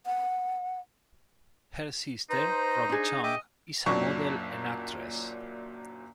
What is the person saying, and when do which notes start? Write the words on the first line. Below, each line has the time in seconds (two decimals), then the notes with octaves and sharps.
Her sister Robbi Chong is a model and actress.
0.06 F#5
2.30 D#4 B4 C5 A#5
2.89 D4 G#4
3.23 D#5 E5 G5 D6
3.86 F#1 A#2 F#3 D4 C#6